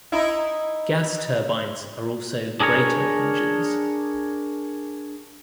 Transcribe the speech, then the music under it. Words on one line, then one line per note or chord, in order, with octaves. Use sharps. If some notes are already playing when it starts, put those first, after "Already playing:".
Gas turbines are also Brayton engines.
D#4 E4
D4 G#4 A#4 C#5